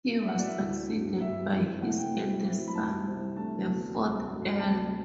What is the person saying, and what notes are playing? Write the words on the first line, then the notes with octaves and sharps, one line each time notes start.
He was succeeded by his eldest son, the fourth Earl.
E5
A2 F#3 B3 E4 F#5
D5
E5
D2 D3 A3 E4
G2 F#3 B3 D4
G2 F#3 B3 E5
F#2 E3 G3 C4
C2 C3 E3 A3 F#5
G5
C3 F#3 B3 E4
A2 F#3 C4 E4
B5
F#2 E3 G3 A5
C2 C3 G3 C4 E4
C3 E3 A3 D4 A5
E2 D3 F#3 B3
D2 C3 G3
G2 F#3 A3 D4
D2 C3 G3 A5